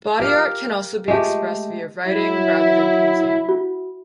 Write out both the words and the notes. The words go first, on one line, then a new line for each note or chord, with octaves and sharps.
Body art can also be expressed via writing rather than painting.
G4 A#4 F5
G#3 A3 G4
F#3 E4
F#4